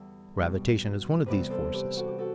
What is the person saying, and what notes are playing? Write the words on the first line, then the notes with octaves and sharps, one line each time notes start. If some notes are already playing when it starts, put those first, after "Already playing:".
Gravitation is one of these forces.
Already playing: E2 D3 G3 E4
B2 G3 D4
C3 E3 G3 B3 B4 D5
A4 C5
G4 B4
F#4 A4
G4
F#4 A4